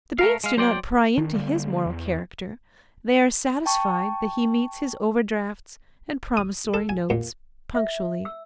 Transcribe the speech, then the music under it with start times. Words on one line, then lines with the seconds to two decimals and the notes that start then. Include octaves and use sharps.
The banks do not pry into his moral character: they are satisfied that he meets his overdrafts and promissory notes punctually.
0.19 A3 A#4 F5
0.44 G#3 F5
0.57 F#3 C5 D5 G5
1.18 D#3 D4
1.33 D3 G3 A#3
1.86 E2
3.66 G5 A5 C#6
6.37 D#6
6.74 A4
6.89 G#5
7.10 A#2
7.75 E5
8.25 E6